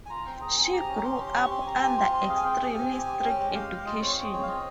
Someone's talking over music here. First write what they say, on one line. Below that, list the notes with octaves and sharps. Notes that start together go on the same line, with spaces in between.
She grew up under extremely strict education.
G#5
F4 A#5
C4 G5
G#4 A#5
C4 G#5
G4 A#5
C#4
A#5
C#4 C6
G4
C6
G4 C#6
C4 C6
G#5
C4 A#5
G4 G#5
F4 C6
C4 C6
D#5
G#4 F5
G#5
C4 G5
G4 G#5
C4
C4
G4
C#4 G5
G#3
G4 F5
G#3 F5
F4 D#5
C4 C#5
G#4 C#5
C4 C#5
F5
F4 D#5